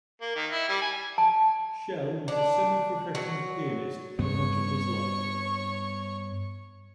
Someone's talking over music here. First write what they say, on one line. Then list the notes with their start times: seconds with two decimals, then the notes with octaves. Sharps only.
Schell was a semi-professional pianist for much of his life.
0.21 A#3
0.36 D#3
0.51 E4
0.69 G3
0.81 G#5
1.18 A5
2.28 D4
3.15 F#3
4.19 G2 B3 C#5 C#6